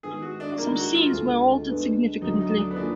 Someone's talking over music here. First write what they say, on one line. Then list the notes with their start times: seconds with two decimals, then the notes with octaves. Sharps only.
Some scenes were altered significantly.
0.03 D#3 G#3 B3 G#4
0.22 F#4
0.40 D4
0.58 D#3 G#3 A#3 D4
0.76 F#4
0.95 F4
1.13 D2 D3 G#3
1.67 G#3 B3 D4
2.22 D2 D3 F#3 D#4
2.41 D#4
2.58 D4
2.71 B3
2.76 D#3 A#3 D4 F4 G#4